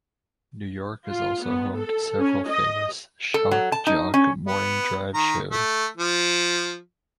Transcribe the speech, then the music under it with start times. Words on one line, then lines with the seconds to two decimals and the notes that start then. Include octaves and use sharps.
New York is also home to several famous "shock jock" morning drive shows.
1.09 F4
1.42 B3
1.79 A4
2.20 C#4
2.49 D#5
3.34 A4
3.51 F#3
3.72 A5
3.87 D#4
4.14 C#4
4.47 B3
5.14 D#3 A#5
5.51 A3
5.97 F3